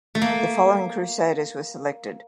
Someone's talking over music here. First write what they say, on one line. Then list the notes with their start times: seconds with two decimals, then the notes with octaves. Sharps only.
The following Crusaders were selected.
0.15 A3
0.22 A#3